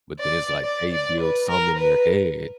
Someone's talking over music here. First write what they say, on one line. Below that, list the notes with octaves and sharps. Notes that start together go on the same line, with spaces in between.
but then it's like they build something in their head
D5
D5
D5
B4
A#4
B4